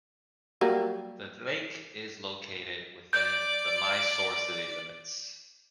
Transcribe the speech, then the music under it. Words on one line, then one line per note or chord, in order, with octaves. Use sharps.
The lake is located within the Mysore city limits.
F#3 G3 A#3
D5 G6